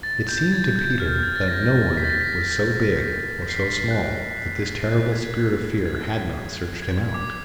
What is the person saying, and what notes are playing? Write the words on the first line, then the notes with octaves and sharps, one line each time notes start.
It seemed to Peter that no one was so big or so small that this terrible Spirit of Fear had not searched him out.
A6
G6
G#6
G#6
G6
F6
G#6
A6
A#6
B6
A6
A#6
B6
A#6
B6
C7
B6
F#6
F#6
G#6
G#6
G#6
G#6
D6